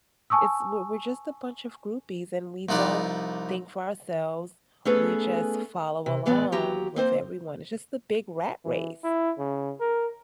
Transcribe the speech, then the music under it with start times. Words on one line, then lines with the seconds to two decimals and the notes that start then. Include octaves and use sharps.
it's we're we're just a bunch of groupies, and we don't think for ourselves, we just follow along with everyone, it's just the big rat race.
0.30 G#5 A5 C#6 D#6 E6
2.69 C2 F3 D#4 B4 D5
4.85 A3 B3 C#4 G#4 A4 B4
6.06 C3
6.26 A2 E3 B3 B4 D5
6.52 D#2 F#3 G4 A#5
6.96 A#3 C4 C5
8.64 E3
9.04 E4
9.38 C#3
9.80 A#4